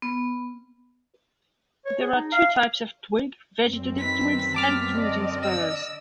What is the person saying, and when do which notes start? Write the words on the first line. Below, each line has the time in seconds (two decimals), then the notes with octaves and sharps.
There are two types of twig, vegetative twigs and fruiting spurs.
0.02 B3
1.86 C#5
2.01 G#4
2.15 D#4
2.32 F5
3.61 F#2 C4
3.97 D#3 B4 B6
4.54 A#2 G3 B3 A5 D6 F6
4.96 D3 D5 D#5
5.43 E6